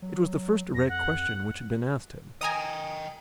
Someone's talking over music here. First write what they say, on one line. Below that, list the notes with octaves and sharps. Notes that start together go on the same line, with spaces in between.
It was the first direct question which had been asked him.
F#3
F2 A#6
F#5
D#5 G5 G#5 A#5 D#6